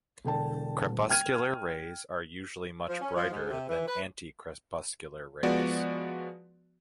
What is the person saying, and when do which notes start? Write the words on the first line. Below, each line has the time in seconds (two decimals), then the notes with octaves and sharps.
Crepuscular rays are usually much brighter than anticrepuscular rays.
0.25 E1 D3 G5 A5
0.86 D#1
1.09 G5 F6 G#6 D#7
2.89 F3
3.01 C#4
3.16 F3
3.32 G#2
3.50 C3
3.69 E3
3.88 B4
5.43 F3 G#3 B3 F#4 D5